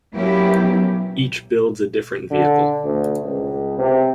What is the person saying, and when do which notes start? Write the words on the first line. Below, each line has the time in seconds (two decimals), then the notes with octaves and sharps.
Each builds a different vehicle.
0.14 F#3 A#3 B3 C#4 E4 G4
2.31 D3
2.84 D2
3.24 C#2
3.78 C3